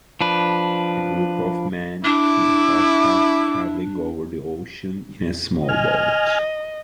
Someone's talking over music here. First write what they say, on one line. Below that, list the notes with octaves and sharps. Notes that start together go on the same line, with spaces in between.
A group of men in hard hats traveling over the ocean in a small boat.
F3 D4 B4
D4 E4 D6
D#5 G#5 F6